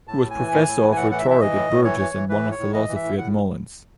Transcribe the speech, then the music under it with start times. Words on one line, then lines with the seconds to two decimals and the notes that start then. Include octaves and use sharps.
He was professor of rhetoric at Bourges, and of philosophy at Moulins.
0.07 A2 A5
0.22 A2
0.30 G#5
0.38 E3
0.52 A2
0.67 A2
0.81 E3
0.92 G#5
0.96 A2 F#5
1.11 E3 F#5
1.19 E5
1.25 E3
1.31 E5
1.41 E3 D#5
1.55 A2
1.70 A2
1.85 E3 C#5
2.00 E3
2.15 E3
2.29 E3 B4
2.43 A2
2.52 C#5
2.59 A2
2.74 E3 D#5
2.88 E3
2.96 E5
3.04 A2
3.17 A2 F#5